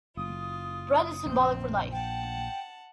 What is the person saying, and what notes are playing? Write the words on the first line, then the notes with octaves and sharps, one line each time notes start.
Bread is symbolic for life.
F#1 F4 D#6
A#1 C4
F#5 G5 A5